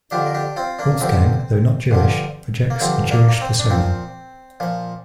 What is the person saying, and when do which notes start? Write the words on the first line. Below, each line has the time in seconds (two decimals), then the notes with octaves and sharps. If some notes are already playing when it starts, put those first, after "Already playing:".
Wolfgang, though not Jewish, projects a Jewish persona.
0.11 F2 D3 F3 D4 G4
0.26 A#4
0.34 D4 G4
0.56 C4 F4
0.79 A#3 D4
1.01 G2 D3 F3 C4
1.91 G2 D3 F3
2.70 A#3
2.81 G2 D3 F3 C4
3.11 A#3 D4
3.28 A#3
3.41 C4
3.59 D4
3.70 A#2 F3 C4
4.60 A#2 F3